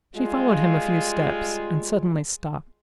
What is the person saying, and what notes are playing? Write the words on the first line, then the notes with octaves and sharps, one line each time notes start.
She followed him a few steps, and suddenly stopped.
G3 G#3 F4